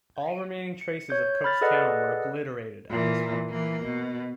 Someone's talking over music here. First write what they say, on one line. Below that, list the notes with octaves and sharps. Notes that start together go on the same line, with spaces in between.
All remaining traces of Cooke's town were obliterated at this point.
C#7
C#5 G6
B5 F6 A6
G#4 A4 B4 D5 D#5 F#5
A#2 E3
E3 A#3
B2